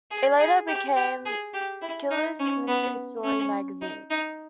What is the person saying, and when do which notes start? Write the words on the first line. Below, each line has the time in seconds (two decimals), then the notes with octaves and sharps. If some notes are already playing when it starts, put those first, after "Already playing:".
It later became "Killers Mystery Story Magazine".
0.11 G#4
0.40 G#4
0.68 G4
0.96 G4
1.26 G#4
1.54 G4
1.82 E4
2.11 D#4
2.40 C#4
2.68 B3
3.24 C#4
3.82 D#4
4.10 D#4